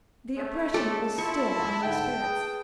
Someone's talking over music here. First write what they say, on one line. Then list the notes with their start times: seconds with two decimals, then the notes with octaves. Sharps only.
The oppression was still on my spirits.
0.37 A3
0.74 G#3 C#4 A4 D5 A5
1.18 E4 F4 A4 C#6
1.83 G#2 D3 E5 G5
2.20 G#4 B4